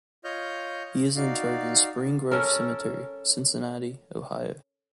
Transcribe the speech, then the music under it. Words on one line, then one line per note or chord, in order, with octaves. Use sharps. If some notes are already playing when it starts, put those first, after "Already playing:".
He is interred in Spring Grove Cemetery, Cincinnati, Ohio.
F4 C#5 D#5 F6 G6
D#4 F#4 D5 F5
C#4 A4 A#4